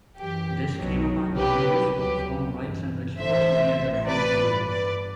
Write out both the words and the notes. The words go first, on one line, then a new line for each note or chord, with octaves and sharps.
This came upon the Buddhists who performed rites and rituals near the Bodhi tree.
F#2 E3 G4
B1 B2 F#3
C2 B2 F#3 G4 B4
D2 D3 F#3 G4 B4
A1 G2 E3
A1 A2 E3 C5 E5
A1 A2 E3
B4 D5
G1 G2 D3
B4 D5